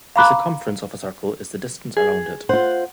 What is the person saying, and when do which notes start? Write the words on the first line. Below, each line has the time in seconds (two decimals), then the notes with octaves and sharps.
The circumference of a circle is the distance around it.
0.16 F5 A#5 B5 D6 F#6
1.97 G#4
2.49 F4 C5 F#5